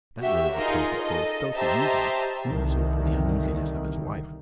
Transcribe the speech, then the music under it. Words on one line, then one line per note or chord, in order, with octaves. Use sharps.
That would have accounted for his stealthy movements and also for the uneasiness of his wife.
F#4 G4 E5
D#4 F4 G#4 A#4
A4 D#5
G4 C5 D#5 E5 A5 A#5
C2 D3 D#3